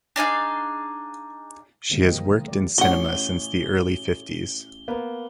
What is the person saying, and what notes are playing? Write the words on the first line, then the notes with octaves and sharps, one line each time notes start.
She has worked in cinema since the early fifties.
D4 D#4 G#4 F5
D3 D#3 G3 G#3 A#3 C4
B2 F3 A#3 D#5
A3
G3 D5
A1 C#4 F#4 F#5 G7
A#3 B3